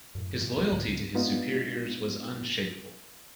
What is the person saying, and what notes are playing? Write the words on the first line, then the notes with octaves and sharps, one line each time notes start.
His loyalty to his superiors was unshakable.
F#2 A2
B2 E3 A3
F#1 C#2 A2 B3
C2 G#2 D3 A#3
C#2 C#3 C4
G#3 B3 D4 D#4 F4